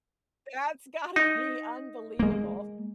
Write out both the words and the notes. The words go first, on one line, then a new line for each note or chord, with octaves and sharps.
That's gotta be unbelievable.
D#4
G#3 A#3